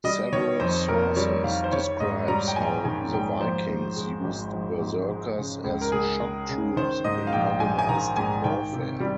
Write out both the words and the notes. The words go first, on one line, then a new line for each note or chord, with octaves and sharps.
Several sources describes how the Vikings used berserkers as shock troops in organized warfare.
G3 D#5
D#3 C#5
F2 C5
F2 A#4
G3 C#5
D#3 F5
C5
D#3 C#5
G#2 D#5
G3 A#5
G5
A#1 G#5
D#3 G#5
G#2 G5
F3 C5
G#2
G#3
G#1
F3
G#2
G#3
C#3
C#2
A#4
C#2 G#4
G#3
C#3
D#3 C5
G#2 D#5
F5
A#1 G5
A#1 G#5
G#5
D#3 A#5
G#2 G#5
D#3 G5
C3
G3